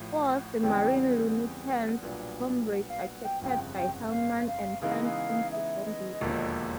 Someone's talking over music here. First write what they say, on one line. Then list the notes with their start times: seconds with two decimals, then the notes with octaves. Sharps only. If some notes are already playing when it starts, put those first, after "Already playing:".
Four of the marine lieutenant's comrades are captured by Hellman and turned into zombies.
Already playing: A1 A2 F3
0.11 F#5
0.29 F#5
0.46 F#5
0.63 E2 C#3 E3 G3 C4 G5
0.99 F#5
1.33 F#5
2.03 B1 A#2 G3 B3 D4
2.73 F#5
2.90 F5
3.07 F#5
3.25 G5
3.42 G1 F2 C#3 G5
3.60 F#5
3.77 G5
3.94 F#5
4.12 F5
4.47 F5
4.81 C#3 E3 G#3 B3 D#4 F5
4.94 F#5
5.05 F5
5.52 E5
5.87 D#5
6.21 E1 D#2 D3 F3 A#3